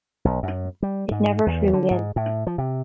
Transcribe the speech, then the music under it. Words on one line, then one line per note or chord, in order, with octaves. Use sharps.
It never flew again.
B1
F#2
G3
G#2
E2
D3
G#2
A2
F3
C3